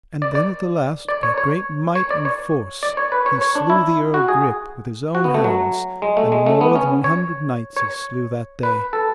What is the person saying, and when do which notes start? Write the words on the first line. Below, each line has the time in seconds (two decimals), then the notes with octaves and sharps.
And then, at the last, by great might and force, he slew the Earl Grip with his own hands, and more than an hundred knights he slew that day.
0.22 D5
0.35 D5
1.09 D5
1.23 C#5
1.38 C#5
1.95 C#5
2.11 D5
2.25 C#5
2.83 D5
2.97 C#5
3.12 B4
3.26 C#5
3.41 C#5
3.55 D4
3.70 E4
4.14 F#4
4.28 G#4
5.15 F#4
5.24 B3
5.34 A3
5.44 F#3
6.02 G#3
6.17 A3
6.32 G#3
6.46 A3
6.61 B3
6.75 C#4
7.04 C#5
7.77 C#5
8.63 B4
8.93 A4